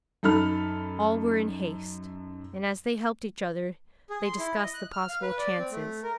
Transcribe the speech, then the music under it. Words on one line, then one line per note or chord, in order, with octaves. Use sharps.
All were in haste; and as they helped each other, they discussed the possible chances.
F#2 D#4 A4 B5 F6
G#4
C6
E4
D#5
F#6
F6
F5
B4
D5
C4
A3
A#4